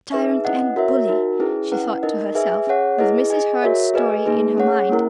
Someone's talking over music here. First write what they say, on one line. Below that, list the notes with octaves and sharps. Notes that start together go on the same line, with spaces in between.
"Tyrant and bully!" she thought to herself with Mrs. Hurd's story in her mind.
D#4 G#4 B4 E5
C#4 E4 B4 D#5 F#5
F#4 A#4 C#5 E5
D#4 F#4 A#4
C#4 E4 G#4 B4
C#4 E4 B4 F#5
D#4 A#4 D#5
G#4 B4 E5 G#5
C#4 G#4 C#5 F#5
E4 G#4 B4 D#5
G#4 D#5 G#5
F#4 A#4 C#5 E5
G#4 B4 D#5 G#5
A#3 D#4 G#4 B4
C#4 G#4 C#5 F#5
A#3 C#4 E4 A#4